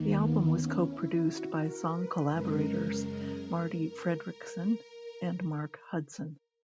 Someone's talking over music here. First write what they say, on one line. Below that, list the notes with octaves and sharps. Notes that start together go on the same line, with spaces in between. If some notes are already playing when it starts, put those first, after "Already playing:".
The album was co-produced by song collaborators Marti Frederiksen and Mark Hudson.
Already playing: D#2 D#3 A#3
B3
C#4
E4
F#4
A#4
B4
F#2 C#3 G#3 A#4
A#4